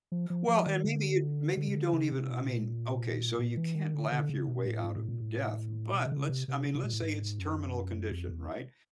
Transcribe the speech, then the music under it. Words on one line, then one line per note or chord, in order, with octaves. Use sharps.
Well, and maybe you maybe you don't even I mean okay, so you can't laugh your way out of death, but let's I mean, let's say it's terminal condition, right?
F3
F3
F3
D#3
D3
D3
C#3
D3
C#3
C3
B2
A#2
A#2
E3
D#3
D3
D3
C#3
B2
A2
G#2
A2
A#2
A2
B2
C#3
D3
C#3
C3
C3
C#3
C3
A#2
A2
G#2
F#2
F2
E2